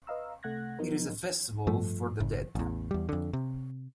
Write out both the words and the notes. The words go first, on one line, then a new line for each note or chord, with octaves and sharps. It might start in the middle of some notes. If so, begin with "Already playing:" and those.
It is a festival for the dead.
B4 D#5 F5 A#5 E6
C3 A3 F#5 F#6 G#6 A#6
F3 F#3 B3 D#4 A#4
G2 F3 A3
F#1
A1 E2
E2 G3
F2 D3
C3